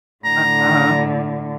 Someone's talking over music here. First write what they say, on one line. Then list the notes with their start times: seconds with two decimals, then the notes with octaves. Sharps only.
Uh, uh-huh.
0.25 A2 D3 A#5